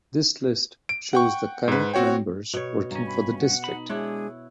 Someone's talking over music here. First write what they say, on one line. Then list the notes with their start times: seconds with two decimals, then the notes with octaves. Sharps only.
This list shows the current members working for the district.
0.89 D7
1.13 F#5 G5 C#6
1.68 G#2 B4
1.94 C4 F#4 C#5 G5
2.53 B2 C#5
2.91 G2 C#4 A#5
3.07 B5
3.39 F#5
3.64 D#4 B5
3.89 G#3 D4 E4 G#4 C#5 F#5